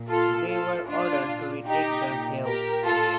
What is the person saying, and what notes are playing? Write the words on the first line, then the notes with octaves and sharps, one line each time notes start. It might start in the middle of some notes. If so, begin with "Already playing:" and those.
They were ordered to retake the hills.
Already playing: A#2
F4 A4
A2 F4 A4
D4 F4
A#2
D#4 G4
A#2
G4 A#4
A2 F4 A4